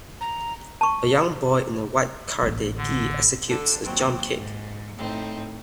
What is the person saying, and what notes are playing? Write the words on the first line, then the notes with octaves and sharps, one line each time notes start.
A young boy in a white karate gi executes a jump kick.
A#5
A5 C#6
A1 A#3
D3
D3 A4
D#2 F#3 C4
G#2
A2 C4 D#4